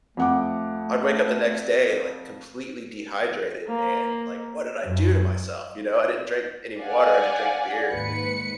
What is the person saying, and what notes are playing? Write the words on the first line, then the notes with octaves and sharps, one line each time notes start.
I'd wake up the next day, like, completely dehydrated and, like, "What did I do to myself?" You know? I didn't drink any water, I just drink beer.
F2 A3 F#5 D6
A#3
F#2
D5 F5 F#5 G#5
D#2 G#2 B4 C#7